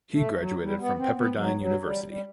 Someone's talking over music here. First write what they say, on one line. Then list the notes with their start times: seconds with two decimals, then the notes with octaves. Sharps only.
He graduated from Pepperdine University.
0.13 A3
0.37 F#3
0.62 G3
0.80 B3
0.98 C4
1.16 B3
1.35 F#3
1.59 F#3
1.83 G3
2.09 G3